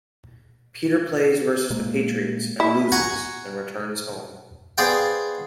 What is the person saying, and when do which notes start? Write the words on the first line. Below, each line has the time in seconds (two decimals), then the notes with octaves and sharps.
Peter plays versus the Patriots and loses, and returns home.
1.70 A#2 G#3 A#3
2.60 E4
2.92 F#5 G#5 A#5 C#6
4.78 B3 G#4 C5 D5 F5 G5